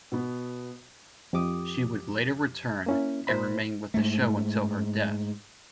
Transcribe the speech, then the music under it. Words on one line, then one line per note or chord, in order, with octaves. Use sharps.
She would later return and remain with the show until her death.
B2 B3
F2 G4 D6 D#6
A#3 C#4 E4
A#2 C5 B5
G#2 A3